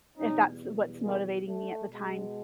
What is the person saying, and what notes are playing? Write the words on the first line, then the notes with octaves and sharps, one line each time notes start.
if that's what's motivating me at the time.
E2 B2 G3 C#4 D#4
G#3 A#3
A3
B2 G#3